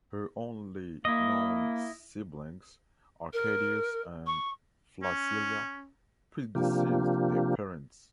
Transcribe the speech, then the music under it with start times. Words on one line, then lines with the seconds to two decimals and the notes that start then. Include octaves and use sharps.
Her only known siblings, Arcadius and Flacilla, predeceased their parents.
1.05 A#3 E4 D#5
3.33 A#4
4.26 C#6
5.03 C#4
6.55 C3 F3 A#3 D4 F4 G4